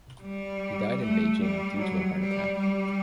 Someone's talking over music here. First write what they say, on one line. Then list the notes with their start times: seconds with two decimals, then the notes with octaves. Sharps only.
He died in Beijing due to a heart attack.
0.22 G3
1.01 A3
1.40 G3
1.80 F#3
2.19 G3
2.59 G3